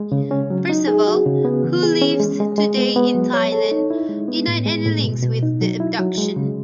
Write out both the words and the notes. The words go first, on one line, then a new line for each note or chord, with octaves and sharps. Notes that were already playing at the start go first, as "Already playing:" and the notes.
Perseval, who lives today in Thailand, denied any links with the abduction.
Already playing: G#3
C#3
C#4
F#3
D#4
G#4
F#4
C#3
B3
E3
G#4
C#4
G#3
G#3
G#3
B3
B3
F#3
C#5
A4
D#4
E4
G#3
B3
A2
G#3
A2
B2
B2
D#4
F#3
E4
F#3
G#3
C#3